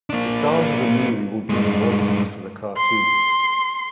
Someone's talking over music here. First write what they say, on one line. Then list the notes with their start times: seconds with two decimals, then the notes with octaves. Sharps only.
The stars of the movie will do the voices for the cartoons.
0.10 A#3 D4
1.49 G2 G#3
2.77 C6